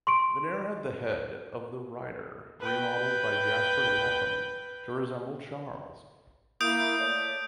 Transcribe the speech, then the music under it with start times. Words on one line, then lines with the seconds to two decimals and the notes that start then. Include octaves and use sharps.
Vyner had the head of the rider remodelled by Jasper Latham to resemble Charles.
0.07 C6 C#6 D7
2.61 B4 G5
6.61 A#3 E4 D#6 G6 D7
6.99 A3 C#5 D5